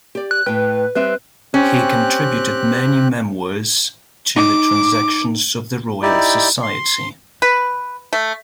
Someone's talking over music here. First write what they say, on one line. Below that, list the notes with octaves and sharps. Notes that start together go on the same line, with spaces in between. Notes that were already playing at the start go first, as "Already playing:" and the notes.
He contributed many memoirs to the "Transactions of the Royal Society".
G4 D5
F#6
A2 B4 G5
G3 C4 B4 E5
C4 C#4 G4 F#6
D#4 D6
D#4 E4 G4 D5
C6
B4
A3